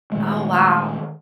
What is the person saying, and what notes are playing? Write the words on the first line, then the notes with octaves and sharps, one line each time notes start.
Oh, wow.
A#2 D#3 G#3 A3